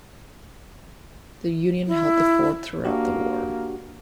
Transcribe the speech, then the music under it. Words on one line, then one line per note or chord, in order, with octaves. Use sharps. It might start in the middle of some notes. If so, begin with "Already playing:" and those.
The Union held the fort throughout the war.
E4
A#3 D4 F#4 G4